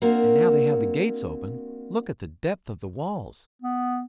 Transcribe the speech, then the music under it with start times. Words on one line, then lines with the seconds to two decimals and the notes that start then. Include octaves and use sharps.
And now they have the gates open, look at the depth of the walls.
0.02 A#3 C4 D4 F#4 A#4
3.62 B3